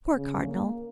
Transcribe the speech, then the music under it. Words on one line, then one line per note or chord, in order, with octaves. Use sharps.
Poor cardinal!
C#3
A#3